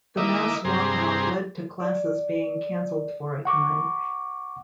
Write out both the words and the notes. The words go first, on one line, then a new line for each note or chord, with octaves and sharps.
The mass walkout led to classes being canceled for a time.
D#3 A#3 E4 D#5 E5 D6
G2 C3 G#4 C5 A#5
D5
F#5 C#6 D6